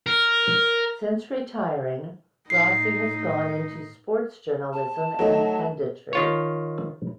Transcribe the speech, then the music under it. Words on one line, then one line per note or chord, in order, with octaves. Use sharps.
Since retiring, Rossi has gone into sports journalism and punditry.
A#4
A2 D#4 C7
A5
F#3 A3 D#4
D#3 F4 C#5